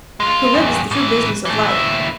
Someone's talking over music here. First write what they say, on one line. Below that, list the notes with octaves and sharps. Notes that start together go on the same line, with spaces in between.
To live is the true business of life.
G#3 F4
E2 G2
A2 E3
E3 A3
D#2 E4